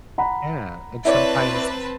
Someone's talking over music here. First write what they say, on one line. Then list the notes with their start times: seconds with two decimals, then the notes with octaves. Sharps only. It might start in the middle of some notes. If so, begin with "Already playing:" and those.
Yeah, and sometimes
0.18 F#5 A#5 B5
1.05 C4 E4 B4 C#5 D5 A5